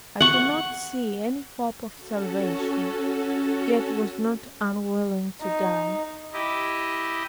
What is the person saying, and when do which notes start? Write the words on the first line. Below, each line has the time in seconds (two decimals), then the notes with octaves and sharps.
I could not see any hope of salvation, yet was not unwilling to die.
0.20 F#5 C#6
1.96 C#4 F#4 A4
5.42 D#4
6.33 E4 G4 D#5